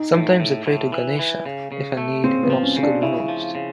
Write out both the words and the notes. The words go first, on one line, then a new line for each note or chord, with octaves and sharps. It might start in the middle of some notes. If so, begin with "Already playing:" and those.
Sometimes I pray to Ganesha if I need an obstacle removed.
Already playing: D#4
A2
A2
A2
E3
E3
C#3
C#3
A3
C#3 C4
B3
F3
C#4
C#3
D4
C#3 E4
F3
C#3